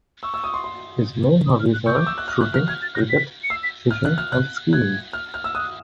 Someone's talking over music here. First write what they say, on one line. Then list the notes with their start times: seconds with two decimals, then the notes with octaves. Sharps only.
His main hobbies are shooting, cricket, fishing, and skiing.
0.23 C#6 E6
0.34 E6
0.44 D#6
0.54 C6
0.64 C6
1.46 D#6
1.60 F6
1.73 F#6
1.86 C#6 G6
1.97 D6
2.07 E6
2.18 F#6
2.28 F6
2.41 F#6
2.54 F6
2.68 F6 G#6
2.82 A6
2.95 A#6
3.09 B6
3.44 C#7
3.50 E6 C7
3.63 B6
3.91 F6
4.05 F#6
4.18 F6
4.32 F#6
4.73 F#6 G#6
5.13 F6
5.34 F6
5.44 E6
5.54 D#6 F#6